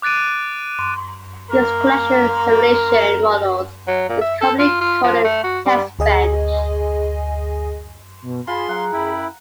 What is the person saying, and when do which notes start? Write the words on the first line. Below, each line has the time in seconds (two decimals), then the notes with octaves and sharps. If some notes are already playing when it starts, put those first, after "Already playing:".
This collection of simulation models is commonly called a "testbench".
0.02 D6 F#6 A6 D7 D#7
1.51 A#3 A#4
3.88 F#3
4.09 A#2
4.22 E5
4.41 A4
4.59 F4
4.81 F4
5.04 F3
5.24 A3
5.44 F#4
5.66 G3
5.99 D2 G#4 D#5 G#5
8.22 B2
8.47 F4 G#4 G#5 A5 B5 C6
8.69 F#3 F5 F#5 A#5
8.92 F#2 E4 G5 B5